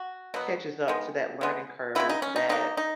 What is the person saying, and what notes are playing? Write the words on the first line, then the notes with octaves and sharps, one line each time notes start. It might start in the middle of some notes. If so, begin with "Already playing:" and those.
catches up to that learning curve that,
Already playing: F#4
B2 F#3 B3
D#3 G#3 B3
E3 G#3 B3
C#3 G#3 B3 E4
D#4
C#4
D#4
B2 F#3 A#3 D#4
D#4